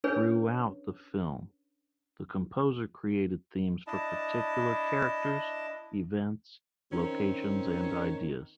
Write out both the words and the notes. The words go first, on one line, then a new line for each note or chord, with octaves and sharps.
Throughout the film, the composer created themes for particular characters, events, locations, and ideas.
C#4 D4 G#4 B4 C#5
D4 E4 D#5 A5
D#3 C4 C#4